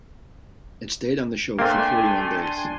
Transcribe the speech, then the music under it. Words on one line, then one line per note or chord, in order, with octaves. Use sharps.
It stayed on the show for forty-one days.
A3 A#3 C4 D4 G5 G#5 C6